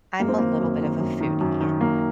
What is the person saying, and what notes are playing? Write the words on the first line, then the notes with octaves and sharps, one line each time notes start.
I'm a little bit of a foodie,
F#2 A#3
C4
D#3 A#3
F#2
D#3
F#2
D#3
F#2
D#3
F#2 A#3